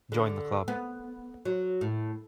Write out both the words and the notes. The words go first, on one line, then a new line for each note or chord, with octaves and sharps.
Join the Club.
D3
B3
F#3
A2